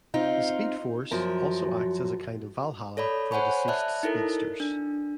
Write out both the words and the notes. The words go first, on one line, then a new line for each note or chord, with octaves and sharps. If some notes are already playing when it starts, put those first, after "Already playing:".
The Speed Force also acts as a kind of Valhalla for deceased speedsters.
C4 D#4 F4
F#2 F3 F#4 A#4
A4 C#5 D5 B5
C5 C#5 F#5 G#5 B5 C#6
D5 E5 A5 F#6
D#4 E4 A4 A#4
D4